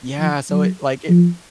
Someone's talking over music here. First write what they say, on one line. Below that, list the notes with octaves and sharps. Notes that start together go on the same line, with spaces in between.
Yeah, so, it like, it
F3
F#3
F3